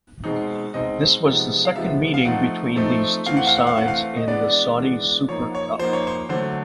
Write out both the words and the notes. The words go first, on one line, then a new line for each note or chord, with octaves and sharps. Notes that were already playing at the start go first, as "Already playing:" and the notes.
This was the second meeting between these two sides in the Saudi Super Cup.
B2 G#3 C4 D#4
B2 G#3 C4 D#4 D#5
C3 F3 G#3 B3 D#4
F5
C3 F3 G#3 B3 D#4 E5
F5
F3 A3 C4 D#4 F#5
F3 A3 C4 D#4
E3 A3 C4 F5
F#5
F5
F#5
F5
E3 A3 C4 F#5
F5
D#5
E3 G#3 B3 D4 D5
E3 G#3 B3 D4
F3 A#3 D#4 C#5
C#5
F3 A#3 D#4 C5
C#5
C5
D3 F#3 A3 C5